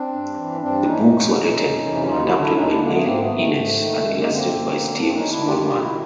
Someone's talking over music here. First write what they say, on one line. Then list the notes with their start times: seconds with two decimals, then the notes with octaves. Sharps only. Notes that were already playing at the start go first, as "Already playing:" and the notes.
The books were written or adapted by Neil Innes and illustrated by Steve Smallman.
Already playing: C4 D4
0.12 G2
0.36 E3
0.61 G2 C4 D4
0.85 E3 C#4 D#4
1.09 F2
1.33 C3 E3
1.58 F2
1.82 C3 E3
2.06 D#2 D#4 F4
2.22 E4 F#4
2.31 D3
2.38 D4 E4
2.54 D#2 C#4 D#4
2.62 F4
2.67 D4 E4
2.78 D3 G#3 A#3
2.91 A3 B3
3.03 G#2 A#3 C4
3.19 A3 B3
3.28 D#3
3.36 A3
3.52 G#2
3.76 D#3
4.00 F#2 G#3
4.16 G#3 A#3
4.25 D3
4.32 A#3 C4
4.49 F#2
4.73 D3
4.97 F#2 C4 D4
5.13 C#4 D#4
5.21 D#3
5.30 D4 E4
5.45 F#2 F4 G4
5.62 F4 G4
5.70 D#3
5.78 E4 F#4